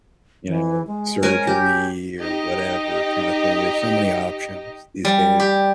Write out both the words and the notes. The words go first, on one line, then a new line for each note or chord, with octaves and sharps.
you know, surgery or whatever kind of thing, there's so many options these days,
E3
G#3
C#4 A#4 G#5
G4
D#4 G4 D#5
G3
G4